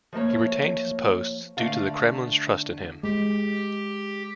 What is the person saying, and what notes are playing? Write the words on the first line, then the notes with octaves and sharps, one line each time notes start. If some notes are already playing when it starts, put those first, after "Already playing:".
He retained his posts due to the Kremlin's trust in him.
F3 A3 A#3 C#5
D3 A3 D5 F5
G#3 G4